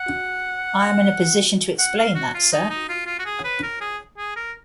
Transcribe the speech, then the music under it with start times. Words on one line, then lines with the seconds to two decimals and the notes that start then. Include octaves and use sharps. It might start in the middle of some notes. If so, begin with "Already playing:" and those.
I am in a position to explain that, sir.
Already playing: F#5
1.79 F#5
1.98 F5
2.15 F#4
2.34 F4
2.53 D#4
2.70 D#4
2.89 F4
3.07 F4
3.19 F#4
3.26 G#4
3.44 B4
3.63 A#4
3.81 G#4
4.17 G#4
4.36 A#4